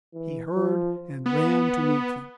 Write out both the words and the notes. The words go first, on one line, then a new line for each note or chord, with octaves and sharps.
He heard, and ran to meet them.
E3
F3
B3